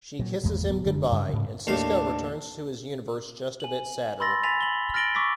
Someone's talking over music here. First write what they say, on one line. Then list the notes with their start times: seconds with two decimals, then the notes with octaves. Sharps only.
She kisses him goodbye, and Sisko returns to his universe just a bit sadder.
0.19 A#2 F#3
0.43 G#1 E2 G#3 A#3
0.70 D1 G2 F#3 B3
0.86 F#1 D3 G#3 D4
1.11 G2 C#3 G3
1.29 G#2 C#3
1.67 D#2 A2 D4 F5
3.60 G#5 F#7
4.20 B5 C6 E6 A6 A#6
4.44 G#5 B5 A6 B6 F7
4.61 F#7 G7
4.94 F6 A6 A#6 D7 F#7 G7
5.15 C#6 D6 E6 A6 B6